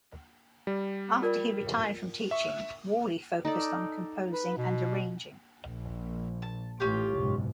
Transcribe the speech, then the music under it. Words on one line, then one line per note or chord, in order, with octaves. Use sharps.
After he retired from teaching, Worley focused on composing and arranging.
G3
F4 A#4 D5
E5 C#6
D#4 A4 D5
B4
B2
A#1
A5
A1 A2 C#4 F4 G4
F#1 B1 G#2